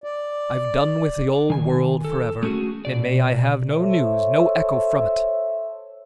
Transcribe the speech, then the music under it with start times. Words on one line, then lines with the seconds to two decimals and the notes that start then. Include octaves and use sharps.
I've done with the old world for ever, and may I have no news, no echo, from it.
0.04 D5
1.50 D#3 G#5
2.05 A4
2.43 A3 C#4 F#4 G#4
2.85 B2 D5
3.71 A4 C5 C#5 E5